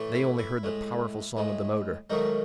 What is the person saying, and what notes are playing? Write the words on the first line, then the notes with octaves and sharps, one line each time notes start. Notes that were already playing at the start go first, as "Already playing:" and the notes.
They only heard the powerful song of the motor.
Already playing: A2 E3 A3
E4
E4
A2 G#3
A2 G#3
G#2 D#3 F#3 A3 D#4